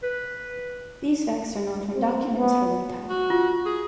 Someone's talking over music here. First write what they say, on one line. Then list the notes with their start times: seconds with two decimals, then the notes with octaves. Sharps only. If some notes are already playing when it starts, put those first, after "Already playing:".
These facts are known from documents from the time.
0.03 B4
1.95 C4
2.37 B3
3.09 F#4
3.30 F4
3.65 G#4